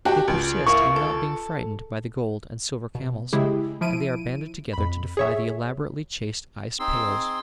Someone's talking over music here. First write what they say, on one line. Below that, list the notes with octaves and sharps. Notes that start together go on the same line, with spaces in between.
They persist in not being frightened by the gold and silver camels, and they are banded together to defy the elaborately chased ice-pails.
D4 F#4 G4
C#2
A#3 E4 F4 C#6
A4
B2
C#3 G#3 E4 G4 G#4
F3 E4 D7 D#7
F2 B5
G#4 C#5 E5
C4 D#4 G#4 C6 E6